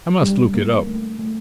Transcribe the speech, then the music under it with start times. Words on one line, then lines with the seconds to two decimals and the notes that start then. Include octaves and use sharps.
I must look it up.
0.22 G3
0.55 A#3
0.87 A3
1.19 A3